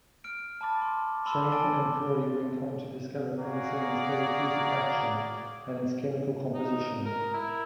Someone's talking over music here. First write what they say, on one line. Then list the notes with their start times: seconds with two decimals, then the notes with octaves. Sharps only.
Chain and Florey went on to discover penicillin's therapeutic action and its chemical composition.
0.24 F6 D7
0.61 A5 B5 D6 A6
0.82 C6
1.25 A5 B5 C6 D6 E6 G7
1.52 G#5 A5 A6 D7 G7
3.39 A#3 F#4 G#4 D5 F5 A#5
6.54 D#4
7.05 A#4
7.33 E4